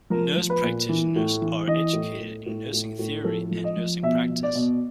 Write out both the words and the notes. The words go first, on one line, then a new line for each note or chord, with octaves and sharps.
Nurse practitioners are educated in nursing theory and nursing practice.
F3 A#4
F3
B4
A#2
E3
A2
E3
E3 D#5
A2
A2
A2
A2
A2
F3 A4
F3
D#5
F3
B2 E5
B2
D5
B2